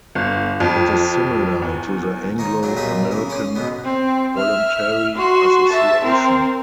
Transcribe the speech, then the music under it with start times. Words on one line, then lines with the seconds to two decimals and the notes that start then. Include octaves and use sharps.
It is similar to the Anglo-American voluntary association.
0.15 G1
0.60 F2
1.62 E2
2.38 D#3 A#3 D#4 C#5
2.63 A#2 F#3 A#3 D4
2.76 B1 A#2 G3 A#3 G#4 E5
3.11 C#3 E3 A#3
3.29 C#4 G#4 C6 D6
3.55 G#2 B2 D3 B3
3.84 C4
4.37 E5 F6
5.16 F#4 C6
5.69 E5 A5
6.05 C4 A#4